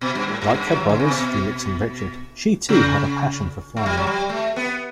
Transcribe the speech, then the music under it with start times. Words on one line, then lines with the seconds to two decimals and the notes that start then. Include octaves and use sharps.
Like her brothers, Felix and Richard, she too had a passion for flying.
0.01 B2
0.15 G2
0.28 A2
0.42 A2
0.54 G2
0.72 F#3
0.80 E3
0.89 D3
1.00 C#3
1.08 B2
2.69 C#3
3.77 A3
3.86 G3
3.97 F#3
4.07 G3
4.29 A3
4.56 B3